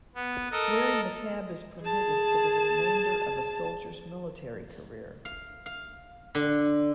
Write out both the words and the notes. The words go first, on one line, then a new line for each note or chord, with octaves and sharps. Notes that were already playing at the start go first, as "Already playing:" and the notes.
Wearing the tab is permitted for the remainder of a soldier's military career.
B3
A4 A#4 D#5
G#4 A5
F5
F5
D3